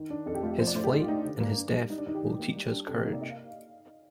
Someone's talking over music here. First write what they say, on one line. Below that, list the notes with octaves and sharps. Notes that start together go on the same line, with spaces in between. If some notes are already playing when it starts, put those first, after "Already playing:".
His flight and his death will teach us courage.
Already playing: D#3
D4
F2 A4
G4
A3 F4
G4
F3 C5
D5
A2 C5
G4
A2 D#4
F4
A3 D#4
D4
D3
A#3
G2
G3
G3 D#4
D4
D#3 D#4
G4
D#3
A#3
G3
D4
C3 A4
G4
A#3 D#4
D5
A#3 D#5
F5